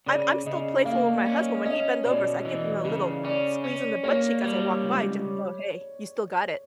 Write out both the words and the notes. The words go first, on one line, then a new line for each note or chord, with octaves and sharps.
I'm I'm still playful with my husband. When he bend overs, I give him a little squeeze on the butt cheek as I walk by just to go, "Hey, you still got it."
C#3 D5
C#3 D#5
A#3 F5
C#4
C#4 D#5
B2 D5
E3
C#3
C#4 D5
C#4
A#3 C#5
G3
C#2